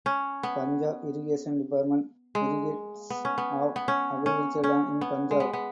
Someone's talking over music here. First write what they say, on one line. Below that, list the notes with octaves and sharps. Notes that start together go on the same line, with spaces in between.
Punjab Irrigation Department irrigates of agricultural land in Punjab.
C#4
B3
G#3
B3
C#4
B3
B3
C#4
C#4
C#4
B3
G#3
B3
B3